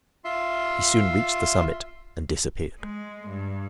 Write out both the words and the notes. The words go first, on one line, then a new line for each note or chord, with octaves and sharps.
He soon reached the summit, and disappeared.
F4 E5 C6
G#3
G2